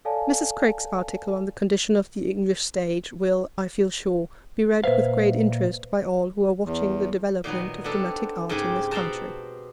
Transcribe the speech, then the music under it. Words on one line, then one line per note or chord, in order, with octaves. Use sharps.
Mrs. Craik's article on the condition of the English stage will, I feel sure, be read with great interest by all who are watching the development of dramatic art in this country.
A4 C#5 D5 F5 G#5 A5
A#2 B4 C5 E5 F5
E2
A#2 D#3 F#3 B3
B3 C4 D4 A4 A#5
G#2 C#3 C4 G4 G#5
B2 C4 G5 A5 A#5